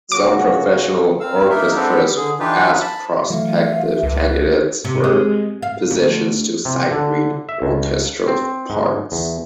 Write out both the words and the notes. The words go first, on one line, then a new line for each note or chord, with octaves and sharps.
Some professional orchestras ask prospective candidates for positions to sight-read orchestral parts.
A#2 C#3 F#3 F#4 D6
C4 F5 E6
A#3 D#4 A#4 E5
G#3 B3 C4 D4 G4 A4
D3 G#4
E3 D4 D#4 F4 G4 B4
A5 B5
E3 F#3 A3 E5 F5
C#2 B4
C3
G#3
F5
D2
C3
D3
E5
C#2
C4
G#2
E2